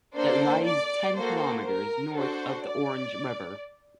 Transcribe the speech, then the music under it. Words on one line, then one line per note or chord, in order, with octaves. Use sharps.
It lies ten kilometres north of the Orange River.
A#3 D4 A4 C5
D5
A#3 F#4 A4 C5
A#4
D4 F#4 A4 C5
D5